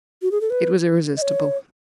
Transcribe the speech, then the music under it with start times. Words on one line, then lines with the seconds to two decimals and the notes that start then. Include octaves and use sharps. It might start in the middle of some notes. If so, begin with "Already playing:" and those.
'It was irresistible.
0.22 F#4
0.31 G#4
0.41 A4
0.50 B4
1.17 D#5
1.22 C#5